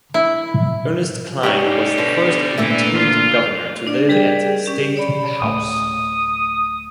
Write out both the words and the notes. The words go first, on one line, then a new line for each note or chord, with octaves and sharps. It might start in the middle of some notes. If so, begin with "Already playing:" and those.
Ernest Kline was the first Lieutenant Governor to live at State House.
E4
D2 A#2 G3 C#4 D#4 G4
B2 D3
A#2 D3 E3 A3
F4
D4 D5
G3 G4 G#4 A#4 D5 G5
C#4 G4
C#5 D5 B5
D1 A2 A3 D#6